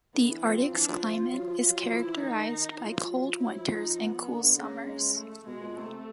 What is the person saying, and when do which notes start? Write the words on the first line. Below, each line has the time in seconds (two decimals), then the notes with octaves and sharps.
The Arctic's climate is characterized by cold winters and cool summers.
0.14 D3 B3
0.29 E3
0.44 F3 C4
0.59 F3
0.73 E3 D4
0.88 F3
1.03 F3 F4
1.32 F#3
1.47 F3
1.61 F#3 F4
1.77 F#3
1.91 F3 E4
2.06 E3
2.21 D#3 D#4
2.36 D#3
2.80 E3 F4
2.88 F#3
2.96 F3
3.10 F#3
3.24 F3
3.39 F#3 E4
3.54 F3
3.69 F3 D#4
3.99 B3
4.28 D3
4.43 D3
4.58 C#3 A#3
4.87 G#3
5.16 A3
5.47 B2 G#3
5.61 A#2
5.76 C3 A3